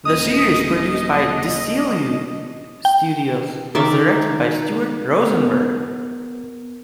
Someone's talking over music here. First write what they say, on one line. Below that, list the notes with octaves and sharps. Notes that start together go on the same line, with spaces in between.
The series, produced at Desilu Studios, was directed by Stuart Rosenberg.
D#1 D#5 D#6
G5
D#3 D5 E5
B3 A#4